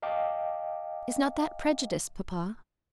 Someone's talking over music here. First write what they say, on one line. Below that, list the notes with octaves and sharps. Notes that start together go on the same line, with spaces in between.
"Is not that prejudice, papa?"
D#5 F5 G5 A5 D6